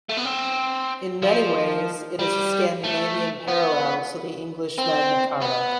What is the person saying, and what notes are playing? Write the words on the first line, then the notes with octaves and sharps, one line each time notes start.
In many ways it is a Scandinavian parallel to the English Magna Carta.
A3
B3
C4
F3
G3
A3
B3
C4
B3